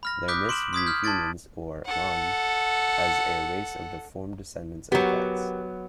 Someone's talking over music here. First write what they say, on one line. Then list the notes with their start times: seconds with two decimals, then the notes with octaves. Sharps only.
Their myths view humans, or "M'an", as a race of deformed descendants of cats.
0.03 B5 F6 A#6
0.28 D6 D#6 F#6 G6 B6 D7
0.49 C6 D7 E7 F#7
0.73 C6 D#6 G#6 B6
0.86 F6 G6
1.04 A5 C6 G#6 A6 D7
1.85 A4 F#5
4.92 F#3 B3 G4 A#4